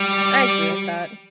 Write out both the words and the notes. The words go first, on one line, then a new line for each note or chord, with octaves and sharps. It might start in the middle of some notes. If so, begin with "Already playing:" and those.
I agree with that.
Already playing: G3